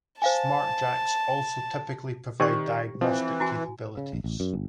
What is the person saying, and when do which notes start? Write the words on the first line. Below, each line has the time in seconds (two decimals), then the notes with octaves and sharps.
Smartjacks also typically provide diagnostic capabilities.
0.22 C5 F5 G#5 A5
2.40 D#3 C4 G4 C5 D5 G#5 C#6
3.01 E3 F3 C4
3.40 E4 F#4 G#5
3.97 C#3
4.13 A#1
4.24 A1
4.40 F#2
4.53 G1